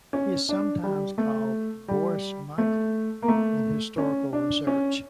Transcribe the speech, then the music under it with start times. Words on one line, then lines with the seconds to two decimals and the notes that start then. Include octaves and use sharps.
He is sometimes called Boris-Michael in historical research.
0.13 C#4
0.49 D4
0.83 G3
1.18 A3
1.88 G3
2.58 A3
3.22 A#3
3.28 A3
3.98 C#4
4.33 D4
4.67 C#4